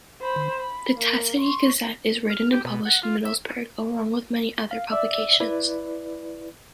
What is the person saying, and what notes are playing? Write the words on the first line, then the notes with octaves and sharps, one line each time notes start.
The Teesside Gazette is written and published in Middlesbrough, along with many other publications.
C5 B5
B5
A#3
C6 C#6
F6
G4
B2
F#5
F4
E5
F5
D5 E5 E6
E4 B4 D5